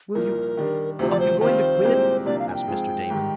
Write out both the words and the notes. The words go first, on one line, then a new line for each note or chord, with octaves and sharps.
"Will you--are you going to quit?" asked Mr. Damon.
C2 A#2 F3 A#4
D#3 G3 D4
D2 C3 F3 C5
D5
C5
D#3 G3 C4 F4 C5
C2 A#2 G#3 C4 G4
C2 C3 F3 A#3 D4 D5
F5
G#5
G5
G#2 F3 C4 F4 G#4
G#2 D#3 G3